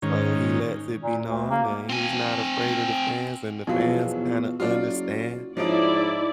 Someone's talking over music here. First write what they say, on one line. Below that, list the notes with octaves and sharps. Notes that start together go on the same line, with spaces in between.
so he lets it be known, and he's not afraid of the fans, and the fans kinda understand,
G#2 D#3 C#4
A#2
D2
A#3
C4 G#5
A#1 E2 B2 F#3 F4
F#1 F#3 F4 D5
G#2 F3 D#4 E4 C#5 D5 D7